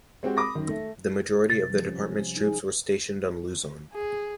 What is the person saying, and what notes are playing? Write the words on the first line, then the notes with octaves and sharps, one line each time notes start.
The majority of the department's troops were stationed on Luzon.
G#3 C4 F#4 G4
B5 D6 D#6 A#6
F#2 D#3
A3
C3 A6
F3 G3
C#4
D#4 G#4
G#4